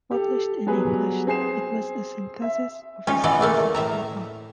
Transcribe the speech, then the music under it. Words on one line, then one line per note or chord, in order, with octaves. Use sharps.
Published in English, it was a synthesis of his philosophical thought.
G4 A4
F#3 G3 B3 G#4 B4
C4 G#4 C7 E7
E5
C#4 D#4 F4
B2 E3 D5 D#5
E3 A3 A#3
A2 E5 A#5